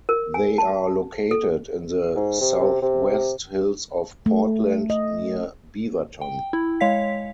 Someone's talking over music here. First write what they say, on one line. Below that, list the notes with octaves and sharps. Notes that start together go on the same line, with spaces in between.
They are located in the southwest hills of Portland, near Beaverton.
A#4
G#5
A5
A4
G#2
C3
C3
C3
A3
D#5
G5
E4
G#3 C#5 F5 B6